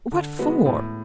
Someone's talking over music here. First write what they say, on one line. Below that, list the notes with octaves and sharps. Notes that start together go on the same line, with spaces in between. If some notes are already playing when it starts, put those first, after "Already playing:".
What for?
D3
G#3 B3 F#4 B4
A2